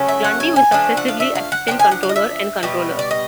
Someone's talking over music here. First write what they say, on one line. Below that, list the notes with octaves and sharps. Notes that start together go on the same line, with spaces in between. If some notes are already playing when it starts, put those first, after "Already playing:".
Lundy was successively assistant controller and controller.
Already playing: C#3 F#3 A3 C#4
E5
F#5
G#5
G#5
F3 A3 D4
F#5
F5
E5
F5
F#5
F3 A#3 D4 G5
G#5
F#5
F5
D#5
E5
B2 G3 B3
D5
D#5